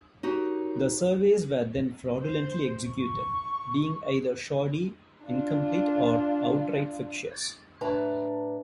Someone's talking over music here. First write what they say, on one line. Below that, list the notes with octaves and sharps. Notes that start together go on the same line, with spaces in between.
The surveys were then fraudulently executed, being either shoddy, incomplete or outright fictitious.
C#4 D#4 F#4 G4 A#4 C#5
C5
C#6
D4 F4
A2 D4 B4 A5 A#5